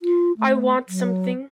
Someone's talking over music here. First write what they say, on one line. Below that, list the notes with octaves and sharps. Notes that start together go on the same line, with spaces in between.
I want something.
F4
A3
F#3